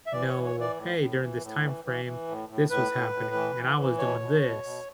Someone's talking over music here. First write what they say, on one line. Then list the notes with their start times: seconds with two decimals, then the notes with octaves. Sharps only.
know, "Hey, during this timeframe, this was happening and I was doing this."
0.07 E5
0.12 E3 D5
0.28 C#5
0.34 E3
0.45 C#5
0.56 E3 D5
0.76 A2
0.98 A2
1.19 E3
1.42 A2
1.63 E3
1.84 E3
2.05 E3
2.27 A2
2.49 A2
2.70 A2 B4
2.92 A2
3.13 A2
3.34 E3
3.56 E3
3.77 E3
3.98 B2 C#5
4.21 B2
4.42 B2
4.64 B2